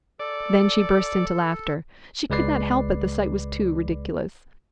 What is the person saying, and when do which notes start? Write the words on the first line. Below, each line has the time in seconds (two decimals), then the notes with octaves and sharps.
Then she burst into laughter; she could not help it, the sight was too ridiculous.
0.20 A4 D5
2.30 C#2 G#3 B4 D5 C7